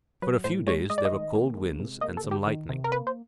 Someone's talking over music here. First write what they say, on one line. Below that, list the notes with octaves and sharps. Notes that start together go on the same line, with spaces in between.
For a few days there were cold winds, and some lightning.
F#3 B4
A2 C5
G#3 C#5
G#3 D#5
D5
D#5
D#3
A#3
G#3
C3
A#3 D#5
A4
D3
G4
D#3
C3
A#4
A#3 B4
C5